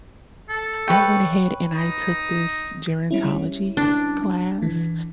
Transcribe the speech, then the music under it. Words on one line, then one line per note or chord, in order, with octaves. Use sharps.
I went ahead and I took this gerontology class,
A4
B4 C#5 G5
D#4
G3 C#4 E4
D4
E3